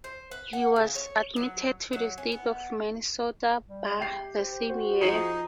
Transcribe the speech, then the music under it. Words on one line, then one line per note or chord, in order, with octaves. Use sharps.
He was admitted to the State of Minnesota bar the same year.
C5
B4
F#5
C#3
C#5
F#3
F#3
C#4
B3
G3
G4 G5 C7
C5
F#4 C5
F3 D#4 G#4 C7 C#7